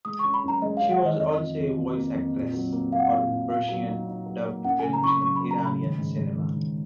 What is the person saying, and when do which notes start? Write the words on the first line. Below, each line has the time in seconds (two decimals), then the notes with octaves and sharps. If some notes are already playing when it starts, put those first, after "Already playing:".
She was also a voice actress for Persian-dubbed films in Iranian cinema.
0.05 G#3 D#6
0.19 C#6
0.24 C#4
0.34 B5
0.44 F#2 A#5
0.62 G#3 D#5
0.77 C#4 F5
0.91 F#5
1.01 D#3 D#5
1.19 F2 D#5
1.39 F3
1.59 F2
1.77 F3
1.96 A#3
2.16 F2
2.35 A#2
2.53 F#3
2.72 A#3
2.92 A#3 F5
2.99 F#5
3.06 F5
3.12 A#2
3.30 A#2
3.49 A#2 F5
3.69 F#3
3.88 D#4
4.08 D#4
4.26 F#3
4.46 A#3
4.65 F#2 F#5
4.79 C#3 G#5
4.93 A#5
5.03 F#2 C#6
5.08 B5
5.22 F#3 C#6
5.36 F#3 B5
5.51 A#5
5.60 C#3 B5
5.80 D#3
5.98 G#2
6.18 G#2
6.36 D#3
6.56 G#2